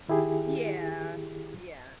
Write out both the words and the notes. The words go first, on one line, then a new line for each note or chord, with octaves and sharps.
Yeah. Yeah.
D#3 E4 G4 G#4